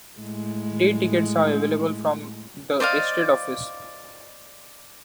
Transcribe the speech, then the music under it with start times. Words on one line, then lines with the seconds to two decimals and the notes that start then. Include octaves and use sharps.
Day tickets are available from the Estate Office.
0.19 A2 G#3
2.80 C5 D5 D#5 F5